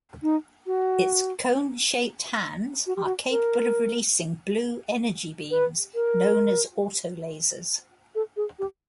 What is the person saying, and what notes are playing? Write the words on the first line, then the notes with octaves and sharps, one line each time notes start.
It's cone-shaped hands are capable of releasing blue energy beams, known as autolasers.
D#4
F#4
F#4
G4
F#4
A#4
B4
A#4
A4
G#4
G4